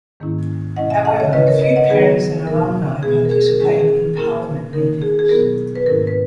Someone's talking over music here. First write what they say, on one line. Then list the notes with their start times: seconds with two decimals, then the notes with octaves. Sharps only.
However, few parents and alumni participate in parliament meetings.
0.20 G#2 D#3 A#3 C#4 E4
0.76 B2 G#3 C#4 E4 D#5 F#5
0.90 E5 G#5
1.05 D#5 F#5
1.20 C#5 E5
1.33 C#3 G#3 C#4 E4 B4 D#5
1.47 A#4 C#5
1.61 B4 D#5
1.76 D#5 F#5
1.89 D#3 F#3 B3 D#4 G#4 B4
2.47 B2 A#3 D#4 A#4
3.03 B2 G#3 B3 G#4
3.25 A#4
3.31 G#4
3.46 A#4
3.60 D#3 G#3 C#4 E4 G#4
3.79 G#4
4.16 A#2 A#3 E4 A#4
4.73 D#3 A#3 D#4 A#4
5.02 G#4
5.19 G#4
5.29 B2 F#3 B3 E4 A#4
5.76 B4
5.86 G#2 D#3 A#3 C#4 E4 A#4
6.07 B4